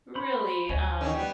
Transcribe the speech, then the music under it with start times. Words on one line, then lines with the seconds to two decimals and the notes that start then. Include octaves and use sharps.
really, um,
0.15 C5 B5
0.69 D2 C#5 G#5
1.01 D#3 C#4 D#4
1.13 G3 B3